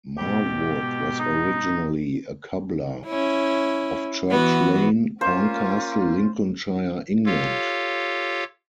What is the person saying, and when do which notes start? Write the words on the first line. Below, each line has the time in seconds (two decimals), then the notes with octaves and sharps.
Marwood was originally a cobbler, of Church Lane, Horncastle, Lincolnshire, England.
0.18 G#2 B2 G4
1.19 D#4
3.07 C#4 E4
4.29 E3 B3 F#4
5.21 A#3 C#4 F4 C5
7.26 F4 G4 A4 C#5 F5